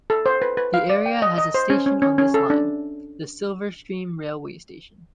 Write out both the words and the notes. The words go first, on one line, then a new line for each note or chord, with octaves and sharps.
The area has a station on this line; the Silverstream Railway Station.
A4
C5
B4
B4
F5
D5
G5
D#5
D#5
C5
C#4
C#4
C#4
C#4
A4
D4